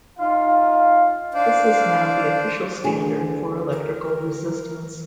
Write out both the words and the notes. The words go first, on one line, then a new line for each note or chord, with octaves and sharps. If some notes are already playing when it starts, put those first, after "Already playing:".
This is now the official standard for electrical resistance.
D#4 F4 F5
D4 C5 D5 F5
D2 D4 G#4
A#4